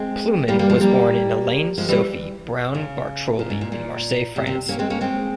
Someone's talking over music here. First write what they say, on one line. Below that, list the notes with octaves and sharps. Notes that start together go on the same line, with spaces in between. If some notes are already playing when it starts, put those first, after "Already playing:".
Plewman was born Eliane Sophie Browne-Bartroli in Marseilles, France.
Already playing: G#3 C4
G3 A#3
G3 A#3
F3 G#3
G3 A#3
F3 G#3
E3 G3
C#3
A#2
G#2
A#2
A#2
C3
C3
A#3 C#4
G#3 C4
A#3 C#4
G#3 C4